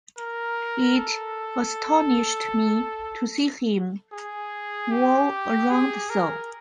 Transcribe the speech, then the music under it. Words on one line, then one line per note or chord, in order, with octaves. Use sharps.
It astonished me to see him whirl around so.
A#4
A4
G#4
G4
G#4
A#4